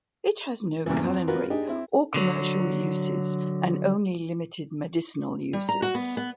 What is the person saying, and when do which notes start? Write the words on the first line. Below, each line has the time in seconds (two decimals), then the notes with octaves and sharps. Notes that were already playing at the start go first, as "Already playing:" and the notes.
It has no culinary or commercial uses and only limited medicinal uses.
0.86 E2 G2 A#2 C#3 E3
1.03 F2 C4
1.28 F4 F#4 A#4 B4
1.50 D4 D#4 G4 G#4
1.67 C4 E4
2.14 D3 F#3
5.53 G3
5.69 A#5
5.82 F#4
5.95 B3
6.17 B3